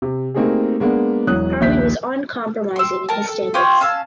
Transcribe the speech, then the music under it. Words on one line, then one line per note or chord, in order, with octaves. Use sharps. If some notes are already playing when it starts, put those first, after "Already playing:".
Harvey was uncompromising in his standards.
C3
A3 A#3 C4 D#4 G4 G#4
G#3 A#3 B3 D4
E1 E3 F#3 D#6 F#6
A#1 D#2 E5 G6 B6
C6 E6
A#4 A5
A4
F4 G4 C5 C#5
C#4 F5 A5 E6